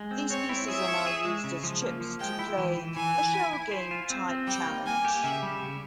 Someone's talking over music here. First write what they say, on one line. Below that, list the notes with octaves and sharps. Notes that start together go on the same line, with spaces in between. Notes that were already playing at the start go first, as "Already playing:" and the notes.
These pieces are now used as chips to play a shell game type challenge.
Already playing: G#3
C4
C4 C#5
E4
G#4 E5
C#5
G#4
G#3
C#3
F3
A#3
F3
G#3 G5
E4
E3
E3
E3 G#5
E3
E4
E4
C5
F4
C4
C4
G3 G5
A#3
A#3 G#5
G4
C#3 E5
G3
C#3